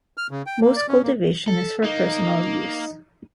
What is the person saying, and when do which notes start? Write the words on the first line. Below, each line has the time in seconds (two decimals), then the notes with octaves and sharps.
Most cultivation is for personal use.
0.17 F6
0.31 C#3
0.46 G5
0.61 A#3
0.76 D5
0.88 C#4
1.03 A#3
1.48 A4
1.84 A#3 D#4